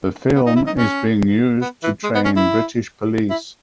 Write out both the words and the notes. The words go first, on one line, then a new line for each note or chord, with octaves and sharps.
The film is being used to train British police.
B3
D#4
E4
D#4
C#4
B3
E3
G#3
B3
C#4
E4
E4